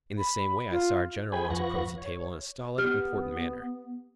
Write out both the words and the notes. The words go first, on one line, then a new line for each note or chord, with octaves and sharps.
In the same way, I saw our General once approach the table in a stolid, important manner.
B5
F4
G#4 C5 G5 G#5 B5
F2 F3 B4 F#5 C#6 A#6
C#5
B3 G4 F6